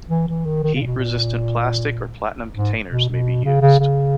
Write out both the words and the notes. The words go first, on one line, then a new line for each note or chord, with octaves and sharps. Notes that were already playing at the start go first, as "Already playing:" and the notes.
Heat resistant plastic or platinum containers may be used.
E3
E3
D#3
D#3
C#3
A#2
B2
A#2
G#2
B2
B2
C#3
C#3
C#3